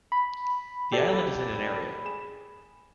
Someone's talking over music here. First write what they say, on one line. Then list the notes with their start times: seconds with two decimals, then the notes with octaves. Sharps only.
The island is in area.
0.12 B5
0.92 G4 A4 D5
2.05 G#4 E7